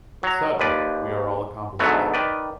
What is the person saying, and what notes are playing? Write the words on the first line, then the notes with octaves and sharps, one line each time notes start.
But sadly we are all accomplices.
F#3 A#5
D#2 F3 B4 D5
D2 G#2 B2 F#3 A3 B3
D#3 B4 D5